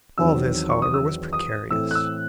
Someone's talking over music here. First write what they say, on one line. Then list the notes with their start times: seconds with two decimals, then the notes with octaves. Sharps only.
All this, however, was precarious.
0.18 E2 D#3 F#3 C4 E6
0.70 C#6
0.82 D#6
0.94 E6
1.33 D#6
1.70 A2 E3 A3 C4 E6
1.91 F#6
1.95 E6